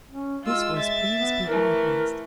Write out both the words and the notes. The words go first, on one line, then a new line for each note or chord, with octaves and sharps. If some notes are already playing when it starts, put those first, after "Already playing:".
This was plain speaking at last.
C#4
G#3 F4 E6
E5 A6
B3
E3 A3 A#4